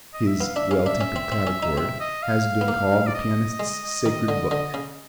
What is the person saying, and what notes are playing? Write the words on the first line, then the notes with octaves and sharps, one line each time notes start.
His "Well Tempered Clavichord" has been called the pianist's Sacred Book.
D#5
E5
B3 F5
D4 E5
C#4 F5
D4 E5
C#4
C4
C4
C#4
D#4
C4 E5
D#5
F5
B3
A#3
D5
D#5
G#3
D#3
D3
D3
C#3